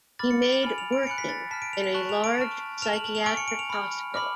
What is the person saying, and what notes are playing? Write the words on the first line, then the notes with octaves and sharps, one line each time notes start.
He made "Working" in a large psychiatric hospital.
B5 D6 F6 A6
C#7
D7
F7
G#5 B5 F6
F7
D7
D7
G#5 B5 F#6 C#7
B6
A6
A5 F6 B6
D7
F7
F7
A5 C#6 F#6 F#7
F7
D7
A5 C#6 F6
A5 F6 F7
F#7
F#7
F7
G#5 C#6 F6 D7
C#7
D7
F7
B5 F6
B5 D6 F6